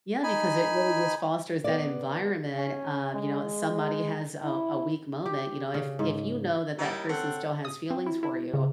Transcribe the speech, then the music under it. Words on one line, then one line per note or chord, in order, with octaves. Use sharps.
Yeah, because it really just fosters that environment of, you know, somebody has a a weak moment, you know, if if you know that that person still has feelings for you
D#4 G#5 B5
B3 D5
C#4
G#3
E4
G4
C#3
G#2
G3 A#3 C#4 D#4 E4
C4 A4 C#5 F#5
D#6
C4
E4
E4
C#3